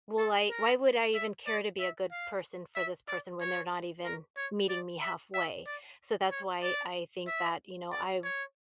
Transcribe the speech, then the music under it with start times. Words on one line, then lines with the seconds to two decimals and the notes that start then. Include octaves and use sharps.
will I why would I even care to be a good person for this person, when they're not even meeting me halfway?" So, that's why I think that, you know, I
0.18 A4
0.50 A#4
1.15 E5
1.47 D5
1.80 E5
2.11 F5
2.76 E5
3.08 D5
3.41 C#5
4.04 A#4
4.37 C#5
4.69 D5
5.02 E5
5.34 E5
5.66 D5
6.31 C#5
6.63 D5
7.28 E5
7.92 D5
8.24 C#5